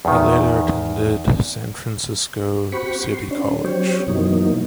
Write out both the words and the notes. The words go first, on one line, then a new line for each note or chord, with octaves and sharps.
He later attended San Francisco City College.
E2 D#3
C4 F#4 G4 B5 C#6
C6
C#4 D4
F#3 C4 G4 C#5
F#2 B2 E3 F#3 A#3 D#4